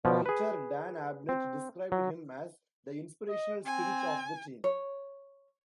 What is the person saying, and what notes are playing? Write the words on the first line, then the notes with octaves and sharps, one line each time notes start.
Writer Dan Abnett described him as "the inspirational spirit" of the team.
B2 F3
G#4 B4
C4
F#3
D#5
C4 G#5
C#5